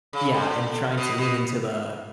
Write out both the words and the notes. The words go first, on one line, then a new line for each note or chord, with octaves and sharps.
Yeah, and trying to lean into the
C#3
D3
B2
B2